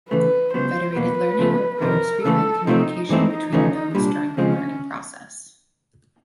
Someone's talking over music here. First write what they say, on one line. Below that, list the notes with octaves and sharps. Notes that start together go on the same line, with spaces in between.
Federated learning requires frequent communication between nodes during the learning process.
E2 C#3 E3 A3 B4
C#2 C#3 F#3 B3 C5
E2 B2 F#3 A#3 B4
C#3 F3 A3
F2 C3 D#3 A#4
C#2 C#3 E3 A3 A4
C3 F3 A3 C4 D#4
G2 E3 A3 C4 D#4 E4
F2 C#3 E3 A3 C#4
C2 A#2 G3 D4
C#2 C#3 F3 G#3 C4 C#4